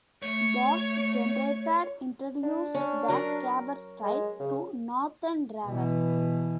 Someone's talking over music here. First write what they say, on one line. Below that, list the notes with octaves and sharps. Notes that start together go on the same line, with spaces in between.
Bass Generator introduced the gabber style to northern ravers.
A3 C#5
D4
C#4
F#3 A#4
G#3
C#3
B2 E3